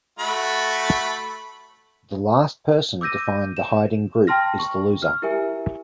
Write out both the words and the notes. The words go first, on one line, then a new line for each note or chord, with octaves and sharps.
The last person to find the hiding group is the loser.
A3 F#4 B5
D6 E6 G6 A#6 D#7
E7
G5 A5 C6 F6 A#6
C#6
F6
E4 G4 A#4 E5 G#5